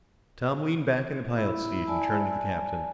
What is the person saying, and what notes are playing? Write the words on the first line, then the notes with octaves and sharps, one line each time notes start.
Tom leaned back in the pilot's seat and turned to the captain.
E4
D5 G#5 A5